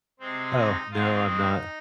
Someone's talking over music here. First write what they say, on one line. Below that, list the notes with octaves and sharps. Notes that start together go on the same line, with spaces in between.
Oh, no, I'm not.
C3 G#3 C4 C5
D#4 D#5
G#2 D#3 G#3 C4 F4 F5
D#4 D#5